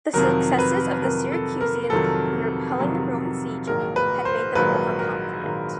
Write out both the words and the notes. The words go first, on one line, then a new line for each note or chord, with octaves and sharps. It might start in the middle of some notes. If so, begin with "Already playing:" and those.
The successes of the Syracusians in repelling the Roman siege had made them overconfident.
F2 C3 D#3 F#3 A#4
B4
F2 C3 D#3 F#3 A#4
A4
A#4
F2 C3 D#3 F#3 A4
F2 C3 D#3 F#3
A#1 G#2 D#3 F#3 A#3 A#4
B4
C5
A#1 G#2 D#3 F#3 A#3 B4
A#4
A#1 G#2 D#3 F#3 A#3